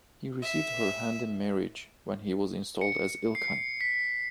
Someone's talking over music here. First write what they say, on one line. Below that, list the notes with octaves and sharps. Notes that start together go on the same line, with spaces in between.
He received her hand in marriage when he was installed as Ilkhan.
E5
C#7
C7
B6